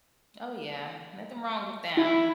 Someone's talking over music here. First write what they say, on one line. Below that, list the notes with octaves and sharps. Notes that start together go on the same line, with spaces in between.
Oh, yeah. Nothing wrong with them.
E4